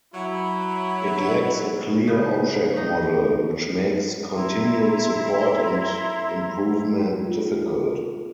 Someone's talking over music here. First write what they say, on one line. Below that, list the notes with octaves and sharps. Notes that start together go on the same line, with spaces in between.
It lacks a clear object model, which makes continued support and improvement difficult.
F#3 E4
A2 C#3 D#4 B4
C#4 D#4
E4 E5 A#5 C6
F4